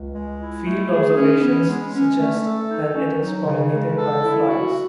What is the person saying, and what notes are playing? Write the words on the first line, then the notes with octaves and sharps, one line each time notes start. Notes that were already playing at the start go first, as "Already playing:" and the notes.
Field observations suggest that it is pollinated by flies.
Already playing: C#2
G#3
E4
A3
G#4
C#4
B3
G#3
C#4
A3
A4
D#4
C#4
F#3
C#3
G#3
A4
E4
F#4